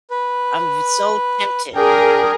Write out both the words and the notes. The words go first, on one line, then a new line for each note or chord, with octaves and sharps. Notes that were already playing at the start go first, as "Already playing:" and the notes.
I'm so v tempted.
B4
D4 G#4 A#4 G5